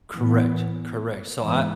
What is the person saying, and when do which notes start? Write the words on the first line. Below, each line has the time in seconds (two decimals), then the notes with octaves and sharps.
Correct. Correct. So I
0.13 A2 E3 B3
1.41 G#2 E3 B3